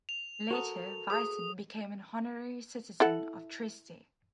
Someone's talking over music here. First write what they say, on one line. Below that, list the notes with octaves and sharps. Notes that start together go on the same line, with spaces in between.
Later, Visin became an honorary citizen of Trieste.
F7
F#4 A4 A#4 C5 A5 D#6
G#4 C5 D#6
E4 A4 F#5